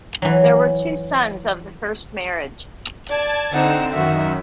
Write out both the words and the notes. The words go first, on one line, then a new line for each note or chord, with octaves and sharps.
There were two sons of the first marriage.
E3 F#3
D5 A5 G#6
D3 C4 D#4 F#5 E7
F#2 D#3 F#4 E5